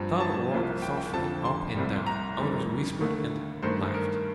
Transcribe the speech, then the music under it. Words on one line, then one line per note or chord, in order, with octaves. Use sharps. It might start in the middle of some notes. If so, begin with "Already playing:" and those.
Some walked thoughtfully up and down, others whispered and laughed.
Already playing: G2 F3 C4 A#5
A5
C2 C3 F3 A#3
G5
G5
F2 D3 F3 A5
C6
C2 C3 G3
A#5
F2 D#3 G3
D#2 D3 A3
G2 D#3 A3 C5
A#4